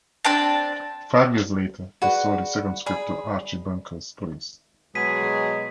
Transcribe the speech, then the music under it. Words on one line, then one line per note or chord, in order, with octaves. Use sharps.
Five years later, he sold his second script to "Archie Bunker's Place".
C4 D4 G5 A5
F#4 G#4 B4 D5 F#5
G#4 D5 B5
B2 F#3 G#3 G#4 B6 D#7